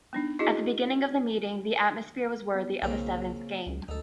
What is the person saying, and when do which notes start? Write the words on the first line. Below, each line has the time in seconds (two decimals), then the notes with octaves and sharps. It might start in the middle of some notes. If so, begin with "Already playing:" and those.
At the beginning of the meeting the atmosphere was worthy of a seventh game.
0.13 B3 D4 D#4
0.39 E4 F#4 G#4 D#5
2.55 B3
2.82 B1 C#3 A#3 C4
3.67 C#2
3.88 D2 D#4 A4